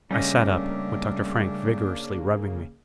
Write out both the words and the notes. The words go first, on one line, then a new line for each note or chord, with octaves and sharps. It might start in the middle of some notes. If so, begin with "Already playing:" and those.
I sat up, with Dr. Frank vigorously rubbing me.
C#3 G3 A3 A#3 C#4 D4 D#5